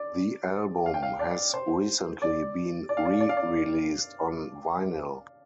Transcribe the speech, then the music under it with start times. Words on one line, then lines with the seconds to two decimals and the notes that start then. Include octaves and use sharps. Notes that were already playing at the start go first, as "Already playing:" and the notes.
The album has recently been re-released on vinyl.
Already playing: D5
0.86 F5
0.94 G5
1.03 F5
1.19 D5
1.54 C5
2.22 D5
2.89 D5
2.97 F5
3.05 D5
3.13 F5
3.21 D5
3.29 F5
3.37 D5